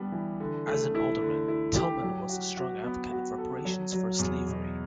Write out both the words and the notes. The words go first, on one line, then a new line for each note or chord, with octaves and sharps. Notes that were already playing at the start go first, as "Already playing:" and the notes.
As an Alderman, Tillman was a strong advocate of reparations for slavery.
Already playing: G3 B3 D4
E3
D3
A3
E4
D3
E4
G4
F#3
F#4
F#4
B3
F#4
A4
F#3
F#3
E2
B2